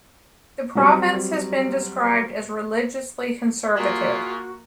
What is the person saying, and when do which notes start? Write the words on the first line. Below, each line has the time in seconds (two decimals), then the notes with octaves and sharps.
The province has been described as "religiously conservative".
0.75 F#3 G3 C4
3.77 A#3 F4 F#4 G#4 E5